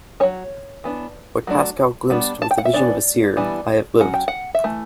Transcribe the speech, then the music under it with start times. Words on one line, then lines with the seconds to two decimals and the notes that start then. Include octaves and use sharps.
What Pascal glimpsed with the vision of a seer, I have lived.
0.20 F#3 C#4 C#5
0.84 E3 B3 D4
1.47 F#3 A3 D4
2.10 G3 B3 D4
2.42 A5
2.51 G5
2.58 F#5
2.65 E5
2.73 E3 B3 D4 D5
3.37 E3 G3 B3 D4
4.00 F#3 C#4 F#5
4.14 G5
4.28 F#5
4.55 E5
4.64 E3 A3